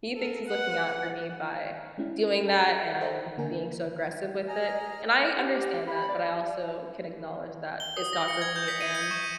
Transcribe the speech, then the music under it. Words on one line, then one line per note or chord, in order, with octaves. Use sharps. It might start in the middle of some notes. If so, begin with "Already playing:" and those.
He thinks he's looking out for me by doing that and being so aggressive with it, and I understand that, but I also can acknowledge that it's not for me, and
A4 A#4
B4 F#5
G#3 C#4 E4
A5
A4 C5 D5 E5 F#5 G5
D3 A#3 A#4 G#5
D#5 G#5 A#5 F6
G4
B5
D5
G7
D#6
A#6
C#7
G#6
G6
B6
D#7
C#7
C#6
D#7